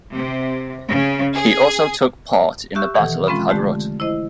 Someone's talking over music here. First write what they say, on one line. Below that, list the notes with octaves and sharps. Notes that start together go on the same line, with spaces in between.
He also took part in the Battle of Hadrut.
C3
C#3
G#4
G4 E5 C#6 E6 F#6
B2 D#3 E3 A4 F#5
F3 G#3 C4 C#4 F4 B5
D3 G#3 A3 G4
E4 C5 D#5